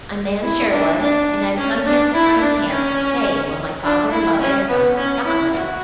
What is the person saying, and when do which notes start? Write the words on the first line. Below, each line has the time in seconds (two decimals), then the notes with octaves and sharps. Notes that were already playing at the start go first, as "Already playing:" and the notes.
"I'm Nan Sherwood, and I've come here to Pine Camp to stay while my father and mother have gone to Scotland."
0.43 E4
0.71 D4
0.99 D4
1.56 C#4
1.85 D4
2.14 E4
2.41 D4
2.70 C#4
3.84 D4
4.11 E4
4.40 C#4
4.69 B3
4.97 C#4
5.25 E4
5.54 F#4